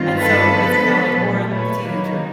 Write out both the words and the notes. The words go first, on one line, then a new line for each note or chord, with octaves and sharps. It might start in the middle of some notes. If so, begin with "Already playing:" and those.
And so, it's kinda, like or the teenager
Already playing: G2 D#3 G3 C4 F4
A4 B4
D3 F3 G#3 B3
A#2 F#3 A3
B4 C#5
D#3 F#3 A#3 D#4